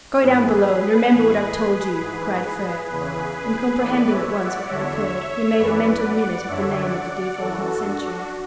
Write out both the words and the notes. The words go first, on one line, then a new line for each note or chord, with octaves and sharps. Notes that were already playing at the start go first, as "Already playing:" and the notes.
"Go down below, and remember what I've told you," cried Frere; and comprehending at once what had occurred, he made a mental minute of the name of the defaulting sentry.
G#2 E3 G#4 B4
A2 E3
G#2 E3
E2 C#3 E3 G#4 B4
A2 E3 B4 D5
C#5 E5
D5 F#5
E2 D3 C#5 E5
F#2 E3 B4 D5
D5 F#5
F#2 D3 C#5 E5
D5 F#5
D5 F#5
F#2 E3 F#4 A4
D4 F#4